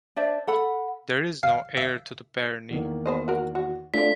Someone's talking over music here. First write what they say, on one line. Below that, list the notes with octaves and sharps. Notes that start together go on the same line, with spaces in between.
There is no heir to the barony.
D4 C5 D5 E5
A4 F#5 B5
F5
E5
E2 D#3 A#3
B3 C5 D#5
F#4 A#4
F#4
A3 C4 D4 F4 D5 B6